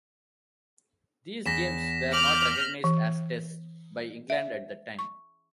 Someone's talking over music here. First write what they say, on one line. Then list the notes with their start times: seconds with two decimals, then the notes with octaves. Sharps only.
These games were not recognised as Tests by England at the time.
1.46 E2 A#6 B6 E7
2.13 D6 F6 G6 F#7
2.84 E3
4.30 E5
4.99 C#6